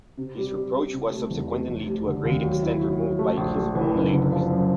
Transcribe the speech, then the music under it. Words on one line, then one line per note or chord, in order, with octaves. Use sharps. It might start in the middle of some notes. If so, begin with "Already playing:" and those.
This reproach was subsequently to a great extent removed by his own labours.
C3
G3
G3
G3
C3
A3
E2
A3
F1
G3
D3
D#2
F#3
E4
F#3
F#3
A3
A#1
A3
E3
F#1
D3
F3
F#2